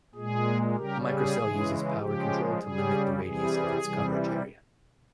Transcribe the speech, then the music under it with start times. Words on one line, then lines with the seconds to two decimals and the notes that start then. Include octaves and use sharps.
A microcell uses power control to limit the radius of its coverage area.
0.15 A#2 G#3 G#4
0.76 C#3 G3 G4 A#4
1.06 G#4
1.37 C#3 E3 G#3
1.98 C#3 F3 G#3 G4
2.59 C#3 G3 G#4
3.20 C3 E3 G3 G#4
3.81 C3 E3 G3